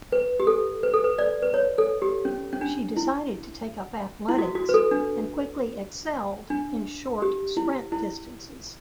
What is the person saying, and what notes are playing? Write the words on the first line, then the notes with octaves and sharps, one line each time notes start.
She decided to take up athletics and quickly excelled in short sprint distances.
B4
G4
A4
B4
A4
B4
D5
B4
C#5
A4
G4
C#4
C#4
D4
E4
E4
F#4
F#4
B4
A4
D4
D4
G4
E4
E4